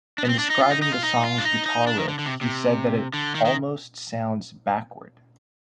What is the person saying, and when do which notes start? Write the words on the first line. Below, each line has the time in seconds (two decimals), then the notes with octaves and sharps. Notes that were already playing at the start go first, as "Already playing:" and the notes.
In describing the song's guitar riff he said that it "almost sounds backward".
0.18 D4
0.25 B3
0.29 C4
0.39 D4
0.50 D#4
0.61 F4
0.71 D#4
0.82 D#4
0.92 F4
1.03 D#4
1.24 F4
1.38 D4
1.45 D#4
1.66 D#4
1.87 D4
1.98 D#3
2.08 D3
2.19 D3
2.26 C3
2.41 C3
3.13 D3
3.35 D#3
3.45 D#3